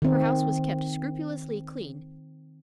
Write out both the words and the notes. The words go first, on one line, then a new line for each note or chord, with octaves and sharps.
Her house was kept scrupulously clean.
D#3 C4